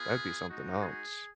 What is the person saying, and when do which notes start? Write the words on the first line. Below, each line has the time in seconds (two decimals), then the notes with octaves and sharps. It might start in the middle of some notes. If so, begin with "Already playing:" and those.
that'd be something else.
Already playing: B3 F4 G#4
0.49 G#3 D#4 F#4
0.82 G#4